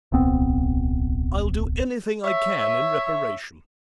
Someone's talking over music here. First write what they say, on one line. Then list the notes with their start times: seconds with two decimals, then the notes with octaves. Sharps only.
I'll do anything I can in reparation.'
0.12 D1 B1 B3 C4
2.25 C#5 E5